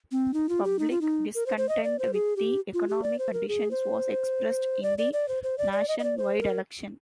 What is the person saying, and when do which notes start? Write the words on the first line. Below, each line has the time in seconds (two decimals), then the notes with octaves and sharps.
Public discontent with the economic conditions was expressed in the nationwide election.
0.12 C4
0.34 D#4
0.49 F4
0.64 G4
0.79 D#4
0.91 F4
1.01 D#4
1.35 A#4
1.46 C5
1.58 C5
1.69 D#5
1.84 D5
1.99 C5
2.13 G#4
2.36 G4
2.74 F4
2.89 G4
3.03 D5
3.19 C5
3.33 A#4
3.48 G#4
3.71 C5
4.83 D5
4.98 D5
5.13 D5
5.28 C5
5.43 C5
5.58 D5
5.73 D5
5.88 D#5
5.99 D#5
6.04 D5
6.18 C5
6.40 A#4